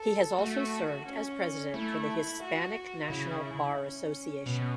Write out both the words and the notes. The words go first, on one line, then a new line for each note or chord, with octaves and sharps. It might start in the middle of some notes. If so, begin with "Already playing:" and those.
He has also served as president for the Hispanic National Bar Association.
Already playing: A4
A3 F#4
C#4
A3 E4
F#4
C#3 E4
E4
C#4
B2